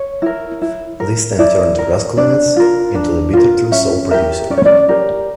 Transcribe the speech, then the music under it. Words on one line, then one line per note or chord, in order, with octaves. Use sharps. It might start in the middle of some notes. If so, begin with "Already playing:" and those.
This then turned Raskulinecz into "The Bitter Truth"s sole producer.
Already playing: C#5
E4 A#4
E4
A#4
E4 D5
A#4
D4 D5
F4 A#4
D4
F4 A#4
C#4 E5
G4 A#4 E5
C#4 D5
C#5
D5
G4 A#4